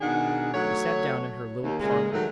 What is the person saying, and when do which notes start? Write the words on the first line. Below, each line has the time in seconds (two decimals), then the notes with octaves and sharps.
We sat down in her little parlour.
0.01 B2 D#3 D4 G#4 F#5
0.53 F#3 A3 C#5
1.63 D#2
1.80 A#2 C#3 G#3
2.12 D#3 F#3 A3